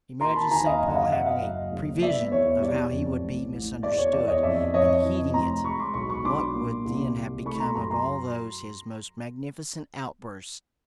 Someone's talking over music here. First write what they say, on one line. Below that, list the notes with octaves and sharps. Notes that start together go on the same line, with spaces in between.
Imagine St. Paul having a prevision of how he would be misunderstood, AND HEEDING IT!--what would then have become of all those his most magnificent outbursts?
A#3 A#5 C6
A5 B5
D#2 G#5 A#5
D#5 F5
F#2
F#5
D#5 F5
F#2 E5 F#5
D#5 F5
F#1
F#1
B3 D5 E5
E2 C#5
G3 D5
F2
A1
A1
E2 D5
C#5
E2 D5
C#5 D#5
F2 D5 E5
F2 C#5 D#5
E3
F1 A#5 C6
G#3 B5 C#6
C6 D6
B1 B5 C#6
B5 C#6
D4 C6 D6
A#2
C2
C2
A3 B5 C#6
A#5 C6
F#2 A#5 C6
A#5 C6